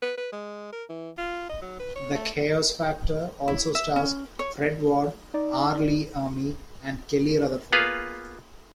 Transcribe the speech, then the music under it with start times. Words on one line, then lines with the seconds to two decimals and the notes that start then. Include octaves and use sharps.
"The Chaos Factor" also stars Fred Ward, R. Lee Ermey, and Kelly Rutherford.
0.02 B4
0.18 B4
0.33 G#3
0.72 A#4
0.89 E3
1.18 F4
1.49 D#5
1.62 F#3
1.79 B4
1.96 C#5
2.15 A3
3.48 E4
3.75 E5
3.96 C#4
4.39 C#5
5.34 D#4 D5
7.72 A#3 B3 F4 G#4 B4 F5